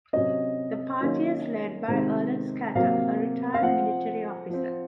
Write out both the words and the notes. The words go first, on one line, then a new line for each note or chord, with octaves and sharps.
The party is led by Erland Skattem, a retired military officer.
C3 F#3 C#4 D#5
D#3 F#3 A#3 C#4
C3 D#3 G#3 C4
C3 F#3 A#3 F5
F5
F3 C4 F#5
F3 C4